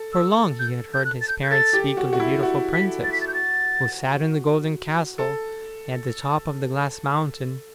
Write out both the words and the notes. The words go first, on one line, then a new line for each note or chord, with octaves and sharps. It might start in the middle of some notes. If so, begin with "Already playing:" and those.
For long he had heard his parents speak of the beautiful Princess who sat in the golden castle at the top of the Glass Mountain.
Already playing: A4
E6
G6
G6
F#6
A6
G6
G6
A4 A6
G4
F#4
F#4
E4
F#4
B6
A6
B6
A6
G6
A6
A4